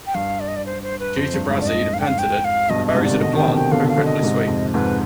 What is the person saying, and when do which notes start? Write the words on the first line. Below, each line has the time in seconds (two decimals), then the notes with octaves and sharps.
Due to brazzein and pentadin, the berries of the plant are incredibly sweet.
0.07 G5
0.15 G2 F5
0.40 D5
0.48 D#5
0.56 D5
0.66 C5
0.83 C5
0.99 B4
1.17 F2 C5
1.34 G2
1.50 F2 G#2
1.61 D5
1.67 D#5
1.94 F5
2.00 G5
2.07 F5
2.19 G5
2.45 F5
2.69 G2 B2 D#5
2.87 D#5
2.94 G#2 C3
3.04 D5
3.10 D#3
3.20 B2 D3 D#5
3.33 C3 D#3 G5
3.46 B2 D3
3.55 C3 D#3 G5
3.72 B2 D3 F5
3.89 F5
3.97 B2 D3
4.05 D#5
4.23 G#2 C3
4.48 F2
4.74 F2 G#2 B4